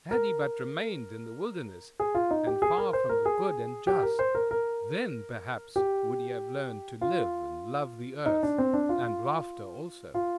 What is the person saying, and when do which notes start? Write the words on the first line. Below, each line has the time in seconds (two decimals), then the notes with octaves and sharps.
Had he but remained in the wilderness, and far from the good and just! Then, perhaps, would he have learned to live, and love the earth--and laughter also!
0.11 A#4
2.00 G#4
2.15 F4
2.31 D#4
2.47 G4
2.62 G#4
2.78 A#4
2.93 C5
3.09 A#4
3.25 G#4
3.87 G4
4.03 A#4
4.19 C5
4.35 A#4
4.51 A#4
5.76 G4
7.01 F4
8.26 D#4
8.43 D4
8.58 C4
8.74 D4
8.89 F4
10.15 F4